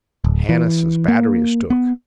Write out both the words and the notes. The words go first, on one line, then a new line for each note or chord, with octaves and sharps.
"Hannises' batt'ry is took."
D1
E3
A#3
B3